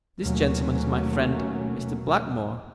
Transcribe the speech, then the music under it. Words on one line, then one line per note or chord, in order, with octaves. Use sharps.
This gentleman is my friend, Mr. Blackmore.
D#2 B2 F#3 A3 A#3 C#4